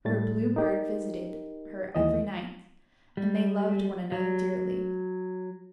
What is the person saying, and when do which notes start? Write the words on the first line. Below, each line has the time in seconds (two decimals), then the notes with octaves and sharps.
Her Blue Bird visited her every night, and they loved one another dearly.
0.05 A2 G3 A3 A6
0.56 D#4 G4 A#4
1.95 D#2 E3 D#5
3.17 G3
4.12 F#3